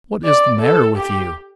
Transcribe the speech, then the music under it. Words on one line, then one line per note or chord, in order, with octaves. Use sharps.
"What is the matter with you?"
D5
A4
G4